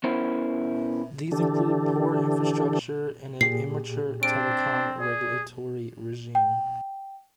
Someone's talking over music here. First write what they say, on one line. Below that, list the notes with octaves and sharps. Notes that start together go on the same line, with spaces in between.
These include poor infrastructure and an immature telecom regulatory regime.
B3 C#4 E4 A#4 C5
D3 E3 D4 G4 A4
A#2 G4 G#4 C7
C4 D4 D7
G#4 D5
G5